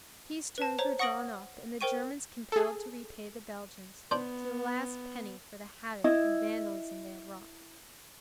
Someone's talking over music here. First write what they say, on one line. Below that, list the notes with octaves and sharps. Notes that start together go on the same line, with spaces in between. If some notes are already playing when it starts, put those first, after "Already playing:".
Peace terms were drawn up and the Germans compelled to repay the Belgians to the last penny for the havoc and vandalism they had wrought.
B4 A5
C5 C#5 A#5
F#5 C#6 D#6 A#6 D7 F#7
A#4 C5 G5 C#6 D#7
G#4 A4
B3 D4 C5
E4 D#5